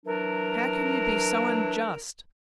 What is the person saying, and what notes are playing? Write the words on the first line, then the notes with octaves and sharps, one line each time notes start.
How can you be so unjust?
E3 F#3 D4 A#4